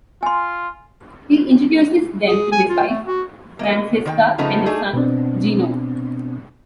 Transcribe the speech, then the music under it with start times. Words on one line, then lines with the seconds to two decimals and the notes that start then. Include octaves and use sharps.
He introduces them to his wife, Francesca and his son, Gino.
0.23 F4 G#5 C6
2.28 G#4
2.52 G#5
2.69 F4
2.88 A3
3.06 F#4
3.59 A#3 D#5
4.06 D#3 C5 G5
4.38 C#3 F3 A3 B3 D#4
4.66 A3 D4 D#4 G#4
4.93 B2 B3 C4 D4